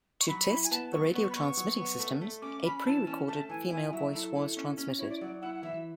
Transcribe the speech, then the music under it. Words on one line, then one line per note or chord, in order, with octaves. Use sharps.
To test the radio transmitting systems, a pre-recorded female voice was transmitted.
C#6
F#3 B5
E4
G#5
B3 A5
F#3 C#6
B3 C#6
B5
B3 C#6
F#3
B3
A3
A3
C#4 D6
C#4 B5
B5
E3 A5
C#4
A3 A5
E3 G#5
E4 G#5
F#3 E5
E4 A4
E4
C#4
C#4
E4 C#5
D5
F#3 D5
E4 F#5
F#5
E3 E5